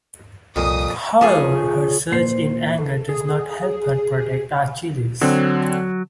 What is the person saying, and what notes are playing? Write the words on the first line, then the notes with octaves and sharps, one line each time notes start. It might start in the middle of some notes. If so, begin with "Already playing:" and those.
However, her surge in anger does not help her protect Achilles.
C2 F2 A#2 D#6
F3 G#4 C#5
A#2 C5 C7
A4
G#4
D3 F#3 C4